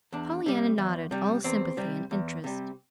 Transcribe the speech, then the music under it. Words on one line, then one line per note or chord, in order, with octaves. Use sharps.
Pollyanna nodded, all sympathy and interest.
E2 D4
C3 G3
E2
C3 G3
E2 C4
C3 G3
E2
C3 G3